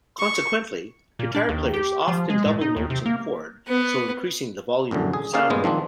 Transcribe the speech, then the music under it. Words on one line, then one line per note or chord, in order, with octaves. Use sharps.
Consequently, guitar players often double notes in chord, so increasing the volume of sound.
C#6
A#2
D4
D#2
G4
F3
G#3
A2
D#4
D#2
C3
A#3
B3
A#1 F#2 A2 D3
G#4
A#3 C#4 G4 G#4 D5 F5
G2 A#2 G#3 B3 F4
D#3 F3 C4 D4